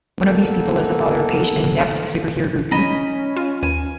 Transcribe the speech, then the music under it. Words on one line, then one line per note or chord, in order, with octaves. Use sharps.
One of these people is the father of Page, an inept superhero groupie.
A#3 B3 A4 A#4
C#4 D#5 G#5 A#5 B5
F4 D#7
D#2 B4 G#5 E7